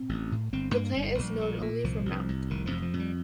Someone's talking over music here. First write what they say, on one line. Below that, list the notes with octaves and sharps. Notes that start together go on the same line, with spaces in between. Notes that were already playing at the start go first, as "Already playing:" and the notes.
The plant is known only from Mt.
Already playing: C4
A1
A2
G1 C4
G2 A#3
G1 G3
A#1
A#2
A#2
C2 F3
C2
C2
F1 D#3
F3
F2
F3
F2
G3